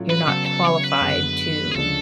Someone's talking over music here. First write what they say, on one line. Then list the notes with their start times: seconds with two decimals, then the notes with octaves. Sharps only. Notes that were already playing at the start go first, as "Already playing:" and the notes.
you're not qualified to
Already playing: A2 F#3 A3 C#4 F4
0.10 B4
0.28 C#3 F#3 B3 A4
0.46 A4
0.65 C#5
0.84 B4
1.01 F#2 D3 G#3 B3
1.71 G#4
1.76 D2 C#3 F3 G#3 D4 A4